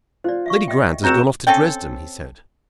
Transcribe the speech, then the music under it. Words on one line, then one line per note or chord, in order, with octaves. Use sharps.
"Lady Grant has gone off to Dresden," he said.
F4 C5 D5
E5 F5 C#6
D#5 E5 G5
C#2 C4 F#4 A#5 E6 G6 E7
C4 C#4 A4 G5